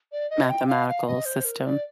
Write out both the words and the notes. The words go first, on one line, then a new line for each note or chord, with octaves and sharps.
Mathematical system?
D5
D#5
G5
F5
F5
D#5
C5
A#4
D5